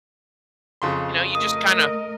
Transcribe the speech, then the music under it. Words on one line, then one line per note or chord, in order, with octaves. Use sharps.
you know, you just kinda
F2 C#3 C6
A3 A#4 D#5 D#6